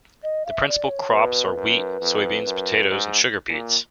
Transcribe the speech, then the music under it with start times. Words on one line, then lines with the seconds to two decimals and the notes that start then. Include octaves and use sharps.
The principal crops are wheat, soybeans, potatoes, and sugar beets.
0.23 D#5
0.46 F5
0.50 E5
0.68 D5
0.90 C#5
1.12 B2 B4
1.57 F#2
2.01 F2
2.46 F#2
2.91 G#2
3.50 A#2